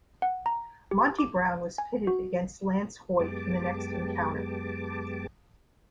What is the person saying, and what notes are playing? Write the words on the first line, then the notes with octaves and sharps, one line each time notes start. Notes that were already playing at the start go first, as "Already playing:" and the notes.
Monty Brown was pitted against Lance Hoyt in the next encounter.
F#5
A#5
G4
D6
G#5
F#4
F#2 G#3 B3 G4 A5 D6